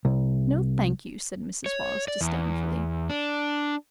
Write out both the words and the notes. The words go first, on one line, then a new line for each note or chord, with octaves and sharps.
"No, thank you," said Mrs. Wallace disdainfully.
C2
C#5
D5
E2
D4